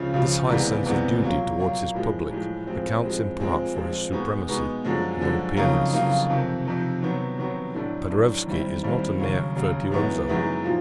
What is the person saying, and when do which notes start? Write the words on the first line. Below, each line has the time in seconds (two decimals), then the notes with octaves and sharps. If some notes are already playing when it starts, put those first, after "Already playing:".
This high sense of duty toward his public accounts in part for his supremacy among pianists Paderewski is not a mere virtuoso.
Already playing: C#2 C#3 F3
0.14 C#2 C#3 F3
0.50 C2 C3 E3 G#3 B3
0.85 C2 C3 E3 G#3 B3
1.22 A#2 F#3 A#3
1.58 A#2 F#3 A#3
1.94 A2 F3 G#3
2.31 A2 F3 G#3
2.67 A2 F3 G#3 C4
3.03 A2 F3 G#3 C4
3.40 A#2 F3 G#3 C4
3.75 A#2 F3 G#3 C4
4.12 B2 G#3 B3 D#4
4.48 B2 G#3 B3 D#4
4.85 F#2 D3 F3 G#3
5.21 F#2 D3 F3 G#3
5.57 F2 C#3 F#3 A#3 D#4
5.93 F2 C#3 F#3 A#3 D#4
6.29 F2 C3 D#3
6.65 F2 C3 D#3
7.01 C3 D#3 F#3 B3
7.38 C3 D#3 F#3 B3
7.74 A2 F#3 A3 D4
8.10 A2 F#3 A3 D4
8.46 D#2 D#3 G3 C4 E4
8.82 D#2 D#3 G3 C4 E4
9.19 D#2 C#3 F#3
9.55 D#2 C#3 F#3
9.91 F#2 D#3 G#3 B3 E4
10.28 F#2 D#3 G#3 B3 E4
10.64 A#2 F3